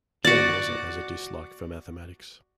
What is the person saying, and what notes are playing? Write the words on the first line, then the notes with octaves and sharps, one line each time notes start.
Jane also has a dislike for mathematics.
F#4 D5